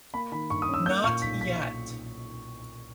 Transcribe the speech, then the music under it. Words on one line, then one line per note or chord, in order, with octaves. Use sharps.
Not yet.
A#3 B5
D#3 B5
G2 C#6
D#6
C#4 E6
A#3 G6
A#2 C#6
B1 B6
B6